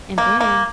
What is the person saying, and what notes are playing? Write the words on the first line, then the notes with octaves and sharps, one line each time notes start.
And then,
A#3
A#3